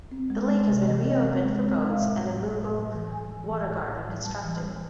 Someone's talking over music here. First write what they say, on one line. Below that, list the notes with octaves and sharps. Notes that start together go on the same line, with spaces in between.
The lake has been re-opened for boats and a Mughal Water Garden constructed.
C4
G#3
G#3
C3
E3 D#5
C4
C4
G#3
C4
G#3
F5
A2 E5
G3
A2
G3
A2
E3
G3 G#5
E3
E3
A2
A2
G3
G3 A5
E3
G3